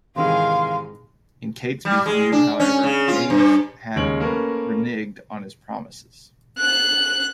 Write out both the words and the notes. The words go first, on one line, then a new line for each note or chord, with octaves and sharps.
In Catesby's view however, James had reneged on his promises.
G#2 C3 D#3 E3 G#4 F5 C6
G3
G#3
D4
C#4
C#3
F4
G2
D#2 C#3 G#3 C#5 D7 F#7
A3 A#3 C#4 A#4 B4
F#6